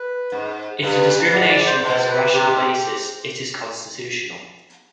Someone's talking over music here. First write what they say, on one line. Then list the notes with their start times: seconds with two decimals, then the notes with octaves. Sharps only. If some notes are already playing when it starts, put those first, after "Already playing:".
If the discrimination has a rational basis, it is constitutional.
Already playing: B4
0.32 G#2
0.83 G2 B4
1.33 G#2 D5
1.49 D5
1.66 C5
1.83 B2 C5
2.08 B4
2.33 C3 G4
2.50 G#2